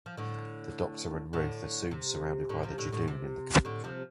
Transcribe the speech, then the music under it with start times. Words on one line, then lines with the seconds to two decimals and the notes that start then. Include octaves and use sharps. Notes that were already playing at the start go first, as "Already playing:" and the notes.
The Doctor and Ruth are soon surrounded by the Judoon in the cathedral.
0.06 F3
0.17 A2 D3
1.33 A2 D3
1.91 C3
2.49 A2 D3
2.63 C3 F3
2.78 A2 D3
2.92 A2 D3
3.08 C3
3.65 A2 D3
3.84 C3 F3